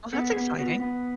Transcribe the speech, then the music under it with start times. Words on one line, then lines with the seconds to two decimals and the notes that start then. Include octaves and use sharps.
Oh, that's exciting.
0.13 B3 A4
0.31 G#4
0.36 B3
0.47 G4
0.58 B3 F#4
0.63 F4
0.80 B3